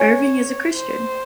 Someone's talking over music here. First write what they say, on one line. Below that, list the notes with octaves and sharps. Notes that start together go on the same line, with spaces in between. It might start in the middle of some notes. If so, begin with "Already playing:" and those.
Erving is a Christian.
Already playing: C#4 C#5
C5